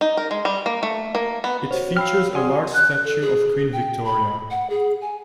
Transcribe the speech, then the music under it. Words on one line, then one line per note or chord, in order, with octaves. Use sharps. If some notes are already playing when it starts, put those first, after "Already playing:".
It features a large statue of Queen Victoria.
D#4
A#4
G#3
G3
A#3
A3
A#3
B3
F#4 C5 C#5
F5 G5 B5 E6 F6
G#4 D5 F#5 G#5 C6 D#6
F#6
A4
G#4
G5
B5
F#5
G#4
G#5